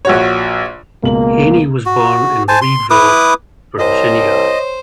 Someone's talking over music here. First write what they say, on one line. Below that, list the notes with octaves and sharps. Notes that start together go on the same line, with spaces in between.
Haynie was born in Reedville, Virginia.
A#1 F#4 C#5
C#2 B2 A#3 F#7
F#4
C5 G#5 A5
C6
E4 B4 D6 D#6
C2 C5 C#5 D#5